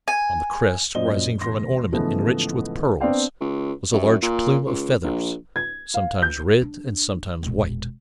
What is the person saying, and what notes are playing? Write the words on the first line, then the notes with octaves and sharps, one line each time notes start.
On the crest, rising from an ornament enriched with pearls, was a large plume of feathers, sometimes red and sometimes white.
G#5
F#2 A#2 C5 D5 D#5 G7
E1 C6 A#6
G#2 C#3 E3 F3 A3 B3
B3 C4 D4 D5 F5 G5
C#2
F#2
A#2
C#2
A#1
G#6
F5
G6
D4
E1 A#2